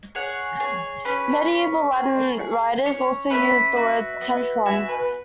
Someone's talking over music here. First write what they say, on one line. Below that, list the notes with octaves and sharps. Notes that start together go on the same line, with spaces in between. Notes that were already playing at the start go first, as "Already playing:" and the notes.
Medieval Latin writers also used the word "templum".
G#4 C#5 F#5
G#4 C#5
C#4 B4
C#4
G#4
G#4
C#4 C#5
C#4 B4 E5
F#4
B3
F#4 E5 G#5
B4